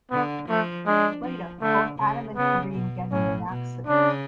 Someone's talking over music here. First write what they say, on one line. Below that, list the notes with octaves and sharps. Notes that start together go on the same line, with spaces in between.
Later, both Adam and Kareem get in an accident.
D3 B3
F3 A3
G#3 D4
F3
D3 A3
C#3
C#3 B3
B2
A2 C#4
B2
C#3 D4